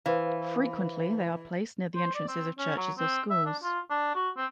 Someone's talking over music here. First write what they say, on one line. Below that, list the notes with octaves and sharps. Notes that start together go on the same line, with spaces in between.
Frequently they are placed near the entrances of churches or schools.
E3 B4 C5 F5
C5
D5
C4
C#4
F#3
C4
E5
D4
F4
D4
F#4
C4